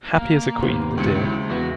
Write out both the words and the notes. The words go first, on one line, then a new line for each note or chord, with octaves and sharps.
Happy as a queen, the dear!
A#3
D#2 C3 B3
C#2 F#3 E4 C5 C#7
E2 B3 F#4